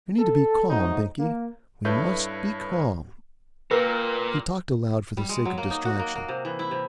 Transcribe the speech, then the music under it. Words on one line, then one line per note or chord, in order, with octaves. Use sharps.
'We need to be calm, Binkie; we must be calm.' He talked aloud for the sake of distraction.
A4
G#2 F#3 A3 D#4
A#3
G2 E4 A4 B4 C#5 G6
A#2 A#3 A#4 B4 G5 E6
G3
G#3
F#3
A#3
D#4
F#4
A#3
A#3
C3
E3
E4
C3